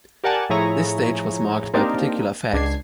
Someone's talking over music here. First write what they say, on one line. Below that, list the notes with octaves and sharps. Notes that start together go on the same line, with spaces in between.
This stage was marked by a particular fact.
G4 A#4 D5 F#5 G#5 A5
A2 F3 E4 G#4 C#5 A#5
A#3 C4 D4 D#4 G4 A#4
C#2 D4 G#6 C7